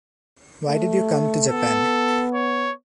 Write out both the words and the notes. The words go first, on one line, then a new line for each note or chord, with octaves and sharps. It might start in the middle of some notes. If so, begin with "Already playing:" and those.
Why did you come to Japan?
A3
B3 A4
C#5